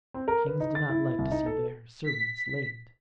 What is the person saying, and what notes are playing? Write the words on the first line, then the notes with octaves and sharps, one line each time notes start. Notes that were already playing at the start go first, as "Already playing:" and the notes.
Kings do not like to see their servants lamed.
C4
A#4
B4
D#4
A6
E4
C2
D#4
A4
B6